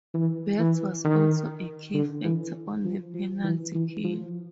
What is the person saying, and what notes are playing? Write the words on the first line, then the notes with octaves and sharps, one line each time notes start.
Betts was also a key factor on the penalty kill.
E3
E3
D#3
D3
E3
F3
F3
E3
E3
F3